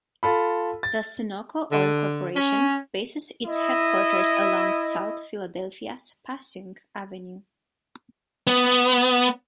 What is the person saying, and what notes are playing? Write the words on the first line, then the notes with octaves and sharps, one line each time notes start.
The Sunoco oil corporation bases its headquarters along South Philadelphia's Passyunk Avenue.
F4 A4 B5
A6
D3
C#4
E4 D#5
B3